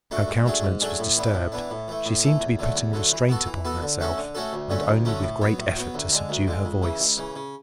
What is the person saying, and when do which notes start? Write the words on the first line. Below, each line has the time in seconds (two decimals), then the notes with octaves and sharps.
Her countenance was disturbed, she seemed to be putting a restraint upon herself, and only with great effort to subdue her voice.
0.11 A3 D4 F#4
0.28 G#2
0.46 F#3 A3 D4 G#4
0.63 G#2
0.81 F#3 A3 D4 G#4
0.99 A2
1.17 E3 B3 D4
1.34 A2
1.52 E3 B3 D4
1.70 A2
1.88 E3 A3
2.06 A2
2.23 E3 A3
2.40 E2
2.59 D3 F#3 A3
2.76 E2
2.93 D3 F#3 A3
3.11 E3
3.29 B3 F#4 A4
3.46 E3
3.65 B3 F#4 A4
3.82 D3
4.00 A3 C#4 F#4 A4
4.18 D3
4.35 A3 C#4 F#4 A4
4.53 D2
4.70 D3 F#3 A3 C#4
4.89 D2
5.05 D3 F#3 A3 C#4
5.23 A2
5.42 F#3 B3
5.58 A2
5.76 F#3 B3
5.94 D2
6.12 D3 G#3
6.29 D2
6.47 D3 G#3
6.65 C#2
6.83 C#3 E3
7.00 C#2
7.17 C#3 E3
7.36 C#3